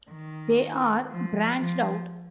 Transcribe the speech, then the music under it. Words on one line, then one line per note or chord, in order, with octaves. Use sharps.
They are branched out.
D#3
F3
F3